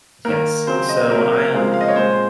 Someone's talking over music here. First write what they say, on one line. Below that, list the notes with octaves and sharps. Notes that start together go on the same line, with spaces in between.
Yes. So I am
D#3 A#3 A#4
C#3 F#3 C4 C5
D#5
C3 F#3 A#3 A#4
A#4
C#3 F3 G#3 C4
F5
D#5
C#5
A#2 G#3 C4 C5